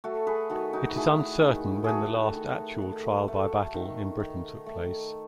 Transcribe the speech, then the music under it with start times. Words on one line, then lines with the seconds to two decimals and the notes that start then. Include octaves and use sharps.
It is uncertain when the last actual trial by battle in Britain took place.
0.04 A3 F#4 A4
0.27 G#4 B4
0.50 D#3 F#4 A4
0.73 D#4 F#4
0.96 A3 E4 G#4
1.42 D#3
1.84 A3 F#4 G#4 A4
2.35 D#3
2.82 A3
3.28 A3
3.74 D#3
4.20 D#3
4.66 A3